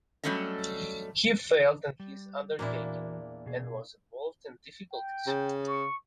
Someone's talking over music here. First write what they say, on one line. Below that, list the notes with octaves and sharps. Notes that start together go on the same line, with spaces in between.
He failed in his undertaking, and was involved in difficulties.
F#3 G3 A3 C#4 A4 D#5
G3
E2 A#2 E3 A#3 D4 E4 F#4 C5
B2 G#4
G5
C#3
C#6